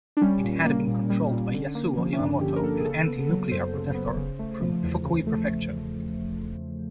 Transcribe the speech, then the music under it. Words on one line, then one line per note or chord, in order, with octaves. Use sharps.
It had been controlled by Yasuo Yamamoto, an anti-nuclear protestor from Fukui Prefecture.
D4
G3 C#4
A#2
A#3
A#2
G3
A#2
D3
A#3
F3
C#4
G2 D4
D3 G4
A#4
A#3 A4
G#4
C#3 A4
B3
F#3
F#2 C5
C#3
B3
C#3
A3
F3
E2
C#3
A3